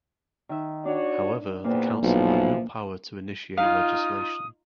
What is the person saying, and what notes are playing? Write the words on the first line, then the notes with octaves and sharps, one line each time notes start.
However, the council had no power to initiate legislation.
D#3 E5
D4 F#4 C#5 D5
E2 A#2 B3 C4
B1 E3 F3
D#4 F4 F5 D#6